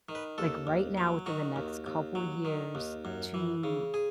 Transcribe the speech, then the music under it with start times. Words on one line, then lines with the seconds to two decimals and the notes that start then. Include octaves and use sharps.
like, right now within the next couple years, to
0.09 D#3
0.15 B4
0.38 D#2 A4
0.67 D#2
0.97 F#3
1.26 D#3 F#4
1.56 D#2
1.86 D#2
2.15 F#3
2.45 D#3
2.75 D#2
3.05 F#2
3.34 E3
3.64 C#3
3.94 G#4